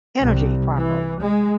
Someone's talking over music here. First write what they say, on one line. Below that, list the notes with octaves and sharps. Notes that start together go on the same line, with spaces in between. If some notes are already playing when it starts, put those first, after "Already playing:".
energy properly.
C2
E3
G#3